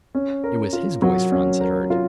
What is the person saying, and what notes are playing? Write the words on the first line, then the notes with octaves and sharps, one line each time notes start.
It was his voice Franz had heard.
C#4
A#4
F4
F#3
C#4
A#4
F4